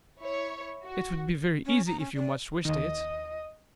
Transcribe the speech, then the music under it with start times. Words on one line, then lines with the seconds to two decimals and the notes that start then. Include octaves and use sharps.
"It would be very easy if you much wished it?"
0.19 E4 C#5
0.83 F#4
1.66 C#4
1.87 A#5
2.00 C#4
2.15 D5
2.65 D#2 D#3 D#5